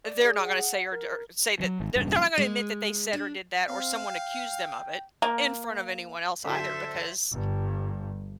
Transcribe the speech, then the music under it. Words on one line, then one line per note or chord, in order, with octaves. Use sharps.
they're not gonna a say or d or say that they're they're not gonna admit that they said or did that or someone accused them of it in front of anyone else either because,
D5
G#4
F#5
A#4
F3 F#3
G#1
E1 G2 C#3
G#3
D4
C4 F5
G5
A#3
D3 F#3 A4 C5 E5
G1 G2